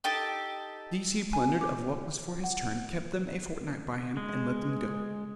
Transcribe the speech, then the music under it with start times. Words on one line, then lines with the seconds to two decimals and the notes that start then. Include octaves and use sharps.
These he plundered of what was for his turn, kept them a fortnight by him, and let them go.
0.04 D#4 G4 A4 A5
1.33 G#5
1.61 D6
2.44 F#5
4.17 G#3